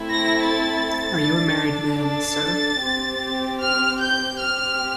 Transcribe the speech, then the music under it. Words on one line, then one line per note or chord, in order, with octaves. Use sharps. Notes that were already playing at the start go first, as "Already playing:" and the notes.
Are you a married man, sir?
Already playing: A3 C4 E4 A4
A#6
A6
D4 A4
A6
C4 G4
F6
G6
C4 G4 F6